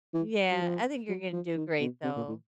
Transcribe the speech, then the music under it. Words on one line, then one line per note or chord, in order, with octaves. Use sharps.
Yeah, I think you're gonna do great though.
E3
F#3
F3
F#3
F3
D#3
B2
C3
A#2
A2